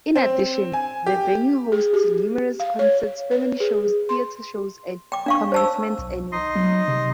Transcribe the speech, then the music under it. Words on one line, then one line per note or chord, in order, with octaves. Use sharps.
In addition, the venue hosts numerous concerts, family shows, theater shows, and commencements annually.
C4
G#5
G4
G#4
G4
F5
C#5
B4
G#4
C6
G5 D6
D4 F5 C#6
C5 A5 E6
B1
D#4 D#5 C6
F#3
C3